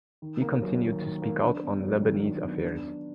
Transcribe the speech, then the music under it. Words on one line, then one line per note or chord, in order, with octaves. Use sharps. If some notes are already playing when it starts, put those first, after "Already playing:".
He continued to speak out on Lebanese affairs.
D#3
A#3
F#3
D#3
D#3
A#3
D4
B3
F#3
D#3
D4
B3
D4
B3